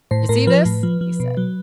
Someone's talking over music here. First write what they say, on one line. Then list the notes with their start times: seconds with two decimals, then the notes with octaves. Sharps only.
"You see this?" he said.
0.11 A2 C5
0.29 A2 A#4
0.47 F3 B4
0.65 A2
0.83 F3
1.01 F3
1.20 B2
1.37 F#3